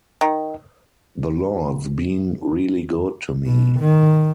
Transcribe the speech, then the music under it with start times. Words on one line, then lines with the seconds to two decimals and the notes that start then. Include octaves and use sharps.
The Lord's been really good to me.
0.21 D#3
3.46 B2
3.80 D#3